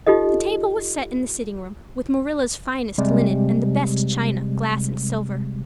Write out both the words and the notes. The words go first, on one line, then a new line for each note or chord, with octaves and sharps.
The table was set in the sitting room, with Marilla's finest linen and the best china, glass, and silver.
D#4 F4 G4 A4 D#5
C3 G3 G#3